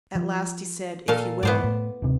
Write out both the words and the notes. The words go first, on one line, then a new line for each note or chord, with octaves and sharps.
At last he said, "If you will."
F3
A#2 A4 F5
G#2 B3 C5 D5
A2
D1 C3